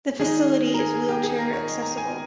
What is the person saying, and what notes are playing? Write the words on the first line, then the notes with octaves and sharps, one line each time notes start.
The facility is wheelchair accessible.
D#3 G#3 D#4 G#4
A#4
G#4
G#4
G4
G#4
A#4
C#5
D#5
A#5
G#5